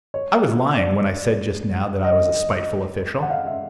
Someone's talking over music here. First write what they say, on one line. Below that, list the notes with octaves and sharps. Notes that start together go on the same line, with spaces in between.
I was lying when I said just now that I was a spiteful official.
C#5
D5
D#5
F#5
F5
E5